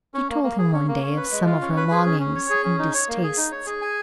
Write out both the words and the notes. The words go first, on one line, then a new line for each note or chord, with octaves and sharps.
She told him one day of some of her longings and distastes.
C#4
A#3
A#3
G#4
C#4
A#3
C#4
B4
G#3
F4
C#4
B4
G#4
C#4
C#4
C#5
G#4
C#4
D#4
C#5
A#3
G#4
D#4
C#5
G#4
G#5